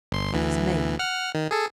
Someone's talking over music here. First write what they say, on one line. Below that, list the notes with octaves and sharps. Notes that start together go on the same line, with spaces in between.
He is made.
G1 C6
D2 E3
F#5 F6
D#3
G#4 A4